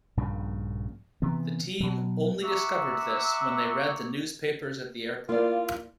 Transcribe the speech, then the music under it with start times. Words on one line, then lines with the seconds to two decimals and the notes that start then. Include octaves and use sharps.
The team only discovered this when they read the newspapers at the airport.
0.17 A#1 G2 A#2 C#3
1.22 C3 E3 B3
1.80 B2 F#3
2.43 E5 F#5 A#5 C#6 D6 E6
5.29 A#3 E4 F4 D5